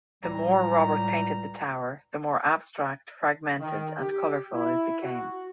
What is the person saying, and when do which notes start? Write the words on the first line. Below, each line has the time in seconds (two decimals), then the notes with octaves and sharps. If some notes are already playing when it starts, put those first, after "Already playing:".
The more Robert painted the tower, the more abstract, fragmented and colorful it became.
0.24 C#2 A2 G3 A#5
3.61 D#3
3.99 G4
4.55 E4
5.03 F#4